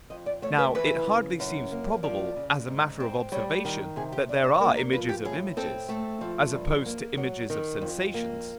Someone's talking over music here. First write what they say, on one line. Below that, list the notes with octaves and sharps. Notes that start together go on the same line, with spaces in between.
Now, it hardly seems probable, as a matter of observation, that there are images of images, as opposed to images of sensations.
F2 D#5
D5
A3 C#5
B4
E3 B4
C#3
F#2
A#3
F3 D5
C#3
G#2
C4
G3 C#5
D#3
C3 G#4
G4
D4
C5
A#3 A#4
A#4
F3 B4
G4
A2 G#4
C4 A4
A3 A4
F3
G2
A#3
F#3
D#3
F2
A#3